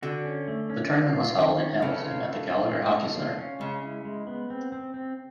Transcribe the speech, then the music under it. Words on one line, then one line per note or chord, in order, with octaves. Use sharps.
The tournament was held in Hamilton at the Gallagher Hockey Centre.
D3 F#4
C#4
A3
C#4
F4
F4
D#3
C#4
C#3 A4
F4
A4
F4
G#3
A4
F4
C#4
C#3 G#3
E4
G#3
B3
C4
C4
C4